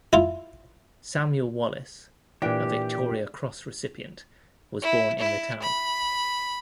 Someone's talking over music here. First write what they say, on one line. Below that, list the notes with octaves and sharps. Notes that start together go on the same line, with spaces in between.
Samuel Wallace, a Victoria Cross recipient, was born in the town.
E4 F4
A#2 E3 D4 G4 G5
E4
E4
B5